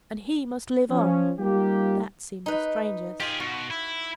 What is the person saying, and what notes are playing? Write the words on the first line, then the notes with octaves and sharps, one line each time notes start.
And he must live on; that seemed the strangest.
F3 C#4
G3 A#3 D#4 F4 G4
D#4 B4
F4 G4 G#4
B2 F#4
E4